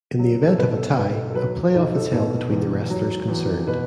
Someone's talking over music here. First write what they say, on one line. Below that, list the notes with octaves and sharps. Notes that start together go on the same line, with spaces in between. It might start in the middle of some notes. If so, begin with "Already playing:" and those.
In the event of a tie a play-off is held between the wrestlers concerned.
F#3
A4
B2 B4
A4
B1 B4
A4
A4
F#3 B4
B1 A4
A4
B2
E2
F#3
E2
B2 B4